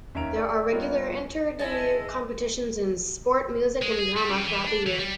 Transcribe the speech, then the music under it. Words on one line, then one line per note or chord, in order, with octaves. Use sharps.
There are regular inter-Deme competitions in sport, music and drama throughout the year.
D#2 C#4 E5 A#5 D7 F7
A#4 D5 G5
G3 B3 F4 A#4 C#5 D#5
G#3 C4 E4 D#5 G#5 A5
G#3
G#4
G3
C#3
E3
D4
E3
G3